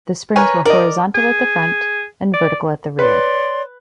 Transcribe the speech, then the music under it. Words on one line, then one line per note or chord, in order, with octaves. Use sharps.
The springs were horizontal at the front and vertical at the rear.
A#4 B4 C#5 G#5
A#4 D5 D#5
G#4
D5
B4 C#5 D5 C6